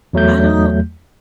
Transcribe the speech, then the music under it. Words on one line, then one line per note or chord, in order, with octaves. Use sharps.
I don't
E2 F#3 A3 G6